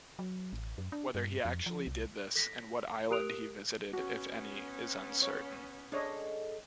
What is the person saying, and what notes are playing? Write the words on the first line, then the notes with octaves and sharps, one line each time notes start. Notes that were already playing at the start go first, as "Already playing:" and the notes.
Whether he actually did this and what island he visited, if any, is uncertain.
F#3
A1
F#2
D4
G2
F2
F3
C2
A4 A#6 B6
G4 A#4 D#6 F#6 D7 F7
B3 C#4 F#4
C#5
G#3 D4 A4 C#5 D#5